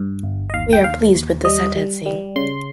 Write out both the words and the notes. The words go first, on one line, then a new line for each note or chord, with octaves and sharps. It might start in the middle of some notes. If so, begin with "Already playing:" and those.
We are pleased with the sentencing.
Already playing: G2
G1
D#5
D#2 F5
G5
D#2 F5
D#2
G3 D#5
G3
G3
C#3 C6